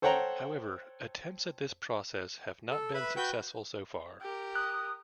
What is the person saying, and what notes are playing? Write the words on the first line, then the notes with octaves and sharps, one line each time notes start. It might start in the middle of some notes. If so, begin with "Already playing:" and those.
However, attempts at this process have not been successful so far.
A4 C5 C#5 F#5 G5 A#5
A4
B4 E5 B5
F#4 B4 G5 G6
G4 A#4
D#6 F#6